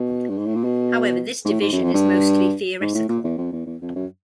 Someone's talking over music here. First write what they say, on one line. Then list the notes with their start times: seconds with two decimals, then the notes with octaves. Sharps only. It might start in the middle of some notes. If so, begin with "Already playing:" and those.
However, this division is mostly theoretical.
Already playing: B2
0.29 G2
0.38 G#2
0.46 A2
0.55 A#2
0.64 B2
1.45 G#2
1.51 A2
1.61 G#2
1.72 F#2
1.83 F2
1.94 G2
2.81 G#2
2.95 A2
3.09 A#2
3.24 E2
3.38 F2
3.53 E2
3.66 E2
3.82 F2
3.96 F#2